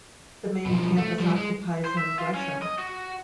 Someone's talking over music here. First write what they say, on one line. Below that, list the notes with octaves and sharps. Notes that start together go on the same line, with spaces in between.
The main campus occupies in Gresham.
B2 F3
A3
F3 G3
G#3
C5
E5
F4
C#4
D#5
F#4